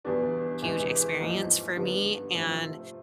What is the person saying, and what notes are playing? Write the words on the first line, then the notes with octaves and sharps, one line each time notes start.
huge experience for me, and
E2 B2 G3 B3 D4
E2 C3 E3 G#3 B3
G#2 F3 A#3 D#4
G2 D3 G3 B3
C3 F3 A3 C4